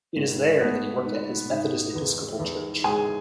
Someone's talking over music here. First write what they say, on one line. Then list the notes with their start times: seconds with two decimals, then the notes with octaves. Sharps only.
It is there that he worked at his Methodist Episcopal Church.
0.16 G#1
0.60 A3 B3 B4
1.06 G#2
1.50 G#2
1.95 E2
2.39 E2
2.84 G#3 G#4 G#5